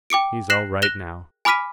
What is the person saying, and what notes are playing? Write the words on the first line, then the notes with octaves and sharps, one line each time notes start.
"He's all right now."
G5 D6 C#7 D7
F#6 A#6 C7 E7 F#7
F#6 A#6 E7 F7 G7
G#5 B5 D6 F6 B6 D#7